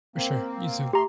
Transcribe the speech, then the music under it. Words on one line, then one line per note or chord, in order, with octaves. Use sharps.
For sure, you too.
A#3 C4
A3 G4 A#5 C6